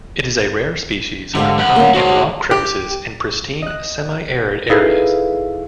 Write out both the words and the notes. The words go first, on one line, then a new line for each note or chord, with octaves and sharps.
It is a rare species occurring in rock crevices in pristine semi-arid areas.
G#2 D3 G4 F5
A#4 F#5
A#3 B3 C#4
F#4 C5 C#5
G4
D#5 F#6
D#4 E4 G#4 A4 B4 F5